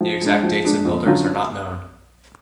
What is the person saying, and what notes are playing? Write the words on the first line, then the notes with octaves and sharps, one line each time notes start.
The exact dates and builders are not known.
F3
G#3 D4
F3
G#3 D4
F2
D3 F#3 C#4 F4